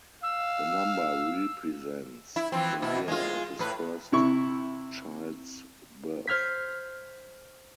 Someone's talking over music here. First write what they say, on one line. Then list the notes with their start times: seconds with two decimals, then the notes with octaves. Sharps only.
The number represents the year of his first child's birth.
0.23 F5 E6
2.36 E4
2.52 E3 F3 C4
2.82 B2 E4
3.08 G#3 F4
3.59 A2 B4
4.12 C3 E4 C#6
6.27 C5 F6 G#6 B6